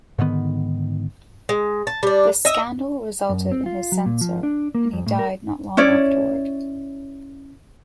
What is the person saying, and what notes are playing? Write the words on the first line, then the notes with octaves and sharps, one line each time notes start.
The scandal resulted in his censure, and he died not long afterward.
G#2 D3 D#3 B3
G#3
A5
G3 D4
D#5 E5
F#2
C4
F4
F#3
A#2
F3
D4
A#3
F2
A2
A#4
C#4 E4 C#5 D5